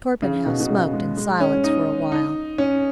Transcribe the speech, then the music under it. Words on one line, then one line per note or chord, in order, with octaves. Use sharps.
Torpenhow smoked in silence for a while.
C#3
B2
B2
C#3
G#3
G#3
C#4
D#4
D#4
C#4